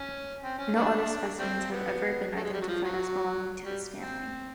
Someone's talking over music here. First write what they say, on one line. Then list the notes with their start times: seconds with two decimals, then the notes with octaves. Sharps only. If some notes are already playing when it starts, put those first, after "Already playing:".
No other specimens have ever been identified as belonging to this family.
Already playing: C#4
0.43 C4
0.58 C#4
0.76 A3 B3 D4
1.39 G3 A3 C4
1.72 B3
2.36 A3
2.44 G#3
2.53 G3
2.61 F#3
2.68 F3
2.84 F#3
3.65 G3
3.98 C4